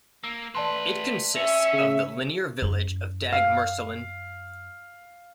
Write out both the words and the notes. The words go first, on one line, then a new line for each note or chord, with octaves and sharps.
It consists of the linear village of Dagmersellen.
A#3 E6
A3 B4 D5 A5 C6
C#4 E5
C#3
F#2 E4
F5